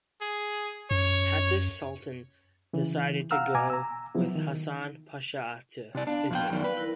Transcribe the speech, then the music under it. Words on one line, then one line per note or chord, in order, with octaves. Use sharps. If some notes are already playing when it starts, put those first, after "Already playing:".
Hatice Sultan decided to go with Hasan Pasha to Izmit.
G#4
F#2 C#5
C#3 E3
F5 F#5 A#5 E6 F6
B2 G#5 A#5 D6
A#5 E6
F3 F#3 B3 E4
D#3
C3 D5
B3 D4 F5 A5
F2 E4 G5
F#2 D#3 B3 D5
B4 F5
E4 A#4